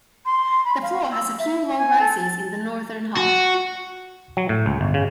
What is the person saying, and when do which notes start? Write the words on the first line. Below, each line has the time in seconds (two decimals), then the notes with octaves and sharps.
The floor has a few low rises in the northern half.
0.25 C6
0.64 B5
0.81 F5
1.11 E6
1.38 E5
1.78 G#5
1.99 A4
2.20 A6
3.17 F#4
4.37 F#3
4.49 A2
4.66 C#2
4.81 G1
4.94 C#3